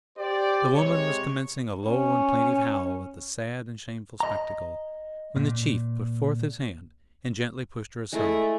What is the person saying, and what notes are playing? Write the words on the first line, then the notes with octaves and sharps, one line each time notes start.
The woman was commencing a low and plaintive howl at the sad and shameful spectacle, when the chief put forth his hand and gently pushed her aside.
G4 C5 D5
C3 G#3 C#5
C#4
D#5 A#5
A#2
G#3 A3 E4